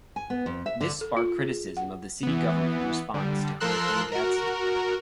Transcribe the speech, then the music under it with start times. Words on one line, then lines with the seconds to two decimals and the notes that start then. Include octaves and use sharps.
This sparked criticism of the city government in response to Hurricane Gaston.
0.16 G#5
0.30 B3
0.46 F2
0.66 E5
0.81 D3
1.01 A4
1.17 F4
1.41 G#4
1.77 F#5
2.23 E3 B3
3.14 D3 G3
3.60 F3 A4 A#4 C6 E6 F#6
4.12 F#4 A#4